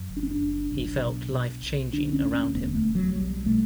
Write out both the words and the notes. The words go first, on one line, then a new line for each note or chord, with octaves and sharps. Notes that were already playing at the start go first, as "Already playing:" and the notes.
He felt life changing around him.
Already playing: F#2
F#1
D4
C#4
D4
F#1
B1
B2
B2
B1
D3 D4
D4
C#4
D2
C#4
E1 B3
A3
E1
F#3
B1 G3
B2 A3